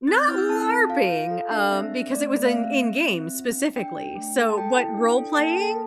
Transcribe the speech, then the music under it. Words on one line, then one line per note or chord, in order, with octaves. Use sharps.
Not LARPing, um, because it was an in-game specifically. So what role playing
C4 A6
G6
E4 F6
E6
C4 A5
A4
F4 F5
F4
A4
D4
C4 E5
C4
A3 D5
A3
F5
C4 E5
C4
C4
C4
F4
D4
D4 G5
D4
A3
A4
A5
A4 G5
E4
D4
A4
G5
A#3 A5
A4